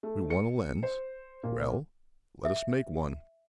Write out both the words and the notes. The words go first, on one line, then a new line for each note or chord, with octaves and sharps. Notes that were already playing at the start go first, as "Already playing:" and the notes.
"We want a lens; well, let us make one."
A3
C#7
C5
A#2
E5